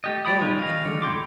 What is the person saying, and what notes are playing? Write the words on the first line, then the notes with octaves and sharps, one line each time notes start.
Go, and hurry.
A3 G4 D#5
G4 D5 G5 B5 D#6
G3 G#3 C#4 D#4 F4
C#4 D#5 F5
D3
E4 G5 C6 D6